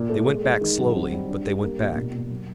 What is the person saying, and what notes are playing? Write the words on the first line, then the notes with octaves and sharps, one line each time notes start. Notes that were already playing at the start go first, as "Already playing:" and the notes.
They went back slowly, but they went back.
Already playing: A#2
A3
G#3
G#3
D#3
F#3
C4
G3
D4
G4
A#3
A#2
B2
A#3
F#3